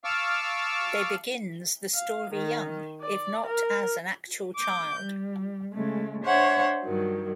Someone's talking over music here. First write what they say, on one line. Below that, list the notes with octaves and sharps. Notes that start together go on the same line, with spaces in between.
They begins the story young, if not as an actual child.
F5 A5 C#6 D6 E6 F6
F5
D#3
D5
A#4
D6 G6
G3
C#3 G#3 A3
D4 C5 C#5 E5 F#5
G2 D#3 F#3